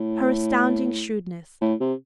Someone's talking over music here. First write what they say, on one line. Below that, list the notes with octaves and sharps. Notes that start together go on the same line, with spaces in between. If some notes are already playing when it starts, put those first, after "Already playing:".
Her astounding shrewdness!
Already playing: A2
A2
C3